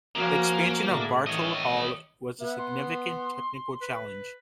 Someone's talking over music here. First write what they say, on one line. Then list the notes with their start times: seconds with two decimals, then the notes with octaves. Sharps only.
The expansion of Bartle Hall was a significant technical challenge.
0.15 F3 A#3 C#4 F#4
0.87 A2 D3 G#3
1.27 D#3 E3 C#5 D#5
2.40 B3 E5
2.58 C6
3.81 B4